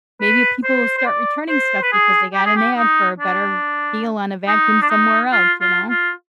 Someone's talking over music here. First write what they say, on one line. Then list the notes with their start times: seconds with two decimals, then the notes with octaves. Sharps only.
maybe people will start returning stuff because they got an ad for a better deal on a vacuum somewhere else, you know?
0.21 B4
0.63 C5
0.97 C5
1.06 D5
1.49 C5
1.83 B4
1.92 G#4
2.34 G4
2.46 G#4
2.56 G4
2.77 D#4
3.20 D4
4.47 D#4
4.81 D4
4.90 D#4
5.32 F4
5.61 F4
5.89 F4